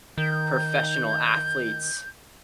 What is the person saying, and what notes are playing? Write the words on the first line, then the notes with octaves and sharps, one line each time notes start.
professional athletes
D#3 G6